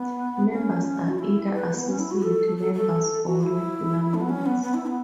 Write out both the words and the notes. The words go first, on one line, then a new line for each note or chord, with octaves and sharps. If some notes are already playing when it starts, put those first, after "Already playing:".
Members are either associate members or regular members.
Already playing: B3
C#4
F#4
E4
B4
B3
C#4
E4
F#4
A4
A4
A4
F#4
E4
A3
B3
C#4
B3
B3
E4
B3